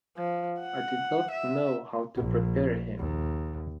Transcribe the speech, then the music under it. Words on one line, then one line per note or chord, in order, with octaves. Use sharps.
I did not know how to prepare him..
F3
F#5
E5
A#1
D#2